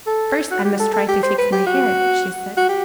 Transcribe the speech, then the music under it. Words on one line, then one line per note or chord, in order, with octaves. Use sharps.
"First I must try to fix my hair," she said.
A4
F#4
G4
A4
A4
G4
C5
B4
G4
F#4
F#4
G4